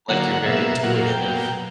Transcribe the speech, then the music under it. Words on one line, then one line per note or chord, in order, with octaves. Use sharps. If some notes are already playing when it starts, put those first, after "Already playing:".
like you're very intuitive
D3 F#3 A#3 F#5
F#5
F#5
B2 A#3 E5
A#2 F#3 A#3 F#5
G5
B2 F#3 A#3